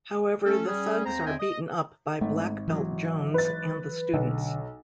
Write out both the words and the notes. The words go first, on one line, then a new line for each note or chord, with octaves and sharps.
However, the thugs are beaten up by Black Belt Jones and the students.
A3 C#4 A4
G3 C#4 G#4
D#2 C4 C5 A#5
E2 C4 D#5 E5 G5 G#5
D#5
G#1 A3
E3 F#3
B4 A6
B1 D3